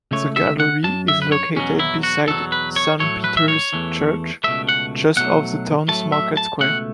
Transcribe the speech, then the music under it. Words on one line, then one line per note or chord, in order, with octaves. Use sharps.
The gallery is located beside Saint Peter's Church, just off the town's market square.
C#2 C#3 A3 C#5
E5
F#5
F#2 F#3 A5
E5
B4
C#5
E2 B2 F#3 C#4
E4
F#4
E2 B2 F#3 A4
B4
C#5
A2 F#3 A3 C#5
B4
E5
C#5
E2 E3 A3
C#2 B2 F#3 A3 E5
F#5
B1 B2 F#3 A3 F#5
A2 F#3 A3 A5
E5
A5
C#2 B2 A3 F#5